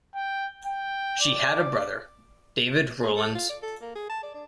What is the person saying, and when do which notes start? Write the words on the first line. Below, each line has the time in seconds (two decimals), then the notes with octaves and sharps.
She had a brother, David Rowlands.
0.14 G5
0.66 G5
1.20 D5
3.03 G#4
3.17 A4
3.35 F4
3.50 D5
3.62 A4
3.81 A#3
3.95 G#4
4.10 A5
4.23 D5
4.34 D4